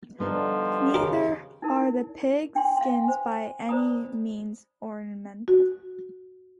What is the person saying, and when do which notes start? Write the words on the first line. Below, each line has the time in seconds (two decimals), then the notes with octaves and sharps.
Neither are the pig-skins by any means ornamental.
0.20 D3 F3 G3 B3 D#4
0.94 C#3 G4 A#4
1.62 D#4 E4 A#4
2.55 D4 G5 G#5 C6
2.77 F5 C6
3.04 C5 G#5
3.69 C5 D5 A#5 B5 D#6
5.48 F#4